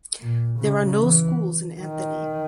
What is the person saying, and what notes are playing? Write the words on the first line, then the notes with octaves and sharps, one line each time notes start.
There are no schools in Anthony.
A#2
C#3
E3
D#3